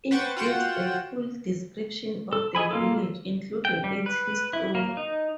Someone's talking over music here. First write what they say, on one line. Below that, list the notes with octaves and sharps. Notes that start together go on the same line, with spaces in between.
It gives a full description of the Village, including its history.
B4 C5 F#5 G5 C#6 A6
F4 F#4 F#5 G5 E7
A4
G#4 D#5 G#5 B5
A#3 F4 A4
G5
G3
B4
E4
A#3
D#4